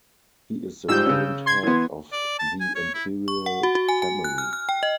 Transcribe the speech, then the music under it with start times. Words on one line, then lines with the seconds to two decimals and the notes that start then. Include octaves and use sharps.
He is the current head of the imperial family.
0.88 G#2 F3 G3 E6 G6
1.06 C#3 C#4
1.46 C6 G#6
1.63 E3 B3
2.12 D5
2.39 A5
2.60 G#5
2.75 C#5
2.94 E4
3.28 C#6
3.46 F#5
3.63 F#4
3.75 F#4
3.89 G#5
4.02 G#5
4.24 F#6
4.38 F6
4.53 F6
4.69 G5
4.83 D#5